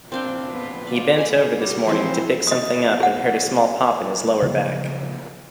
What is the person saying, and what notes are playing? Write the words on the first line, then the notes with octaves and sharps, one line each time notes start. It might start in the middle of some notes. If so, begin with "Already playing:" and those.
He bent over this morning to pick something up and heard a small pop in his lower back.
C4 D4 F5 G5
B3 F4 B4
F4 D5
G#5 B5
G3 F#4
E3 F3 C4 E4 C5
D#5 D#6
G#4 F#5
C#3 F3 F#3 A#3